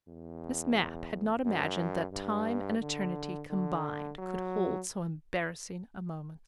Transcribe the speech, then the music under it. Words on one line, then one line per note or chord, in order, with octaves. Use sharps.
Miss Mapp had not imagined that Time and Eternity combined could hold so embarrassing a moment.
E2
F#2
G2
D3
D3
F#3